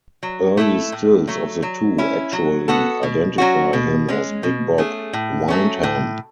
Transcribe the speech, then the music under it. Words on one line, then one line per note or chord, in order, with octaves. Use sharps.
Early stills of the two actually identify him as Big Bob Windham.
F#3
A3 E4 A4
A2
F#3 A3
F#3
C#4 E4
F#3
B3 F#4 A4
B2
F#3 C#4 F#4
B2
G#3 C#4
B2
A3 C#4 G#4
A2
F#3 A3 C#4
A2